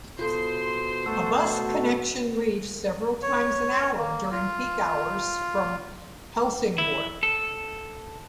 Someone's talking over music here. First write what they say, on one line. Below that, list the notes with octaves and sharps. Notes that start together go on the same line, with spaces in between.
A bus connection leaves several times an hour during peak hours from Helsingborg.
B2 F4 A4 C5 C6
A3 F#4 A4 C#6 E6
C#5
A#3
F4
E4
A4